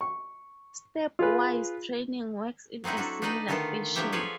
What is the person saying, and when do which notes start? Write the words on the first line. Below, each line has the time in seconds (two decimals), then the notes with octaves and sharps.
Step-wise training works in a similar fashion.
0.01 C#6
1.19 F4 G#4 B4
2.84 F#3 C4 D#4 E4 F#4
2.97 D4 F#4 A4
3.22 D4 D#4 B4 D5 D#5 G5
3.48 D3 D#3 A3 B3 F4 A4
3.95 F3 F#3 D4 E4 G4 E5
4.12 F4 G#4 A4 B4 C#5 D5